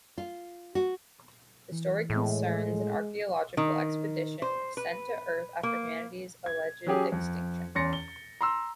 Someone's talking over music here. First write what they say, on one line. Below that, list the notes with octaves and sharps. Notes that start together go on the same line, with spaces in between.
The story concerns an archaeological expedition sent to Earth after humanity's alleged extinction.
F4
F#4
E3
A2 G#3
D#3
C5
B4
A#3
G#6
F#3 C#4 G4 G#4
F2
E2 C#4 C6 A6 A#6 C#7
G7
A#5 C6 E6